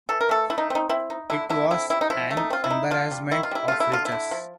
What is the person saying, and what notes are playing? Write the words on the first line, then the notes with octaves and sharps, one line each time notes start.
It was an embarrassment of riches.
E3 A4
A#4
A3 A4
A3 E4
D#4
C4 D#4
C4 E4
D#4
D3 E4
D3 E4
C4 E4
G3 E4
D#4
F3 E4
A3
D#4
C4 F4
E4
D#4
D4 F4
G3
D#3 E4
F4
G3 E4
A3 F4
E4
D3 F4
E4
D3
F3